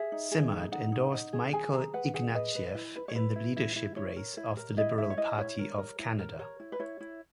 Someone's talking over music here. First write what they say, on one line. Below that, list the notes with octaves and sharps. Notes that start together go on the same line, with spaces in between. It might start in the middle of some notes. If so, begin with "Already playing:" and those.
Simard endorsed Michael Ignatieff in the leadership race of the Liberal Party of Canada.
Already playing: G#4 E5
D#4
G#4
D#4
D#4 F#5
D#4
D#4
G#4
G#4 G#5
G#4 A#5
B4 F#5
G#4 F#5
B4 D#5
B4
E4
B4
C#5
E4 B4
E4
E4
E4
E4 C#5
A#4
E4
A#4
E4 D#5
E4 E5
C#5
E4 D#5
E4 C#5
A#4
A#4
E4
A#4
A#4 C#5
E4
B4
E4 C#5
E4